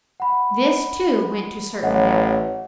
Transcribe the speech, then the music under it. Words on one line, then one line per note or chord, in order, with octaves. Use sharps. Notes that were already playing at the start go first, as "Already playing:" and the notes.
This, too, went to certain death.
F#5 B5
A1 C#5 D#5 F#5